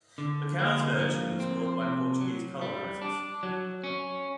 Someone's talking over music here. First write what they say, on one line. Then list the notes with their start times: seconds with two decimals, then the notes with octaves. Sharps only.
Macau's version was brought by Portuguese colonizers.
0.18 D3
0.59 A#3
0.99 F3
1.40 C4
1.81 C3
2.21 F#3
2.61 G3
3.01 D4
3.43 F#3
3.84 C#4